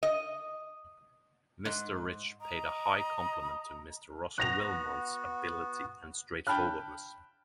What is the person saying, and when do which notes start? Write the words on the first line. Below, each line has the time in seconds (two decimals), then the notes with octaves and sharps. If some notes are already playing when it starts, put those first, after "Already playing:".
Mr. Rich paid a high compliment to Mr. Russell Willmott's ability and straightforwardness.
0.03 D#5
1.65 G#2
2.41 D#5 A#5
4.38 B3 F#4 F#6 A#6 F7
6.47 G5 A5 B5 F6 F#6